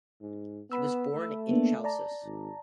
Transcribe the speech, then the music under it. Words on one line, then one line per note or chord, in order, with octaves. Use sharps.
He was born in Chalcis.
G#2
B3 B5 E6
A3
A#3 B3 D4
D5 A5 A#5
G#1